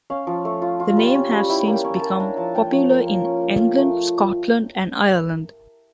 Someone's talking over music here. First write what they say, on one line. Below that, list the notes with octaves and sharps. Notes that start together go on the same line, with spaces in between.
The name has since become popular in England, Scotland and Ireland.
C#4 F5
F3
A3
F4
F4
G3
C#4
G3
E4 G5
A#3
G5
C#4
A5
A#3
D4 A#5
F3 A5
A#3 G5
F3 C#5
F4 A#4
A#3
C#4
A#3
F4
A3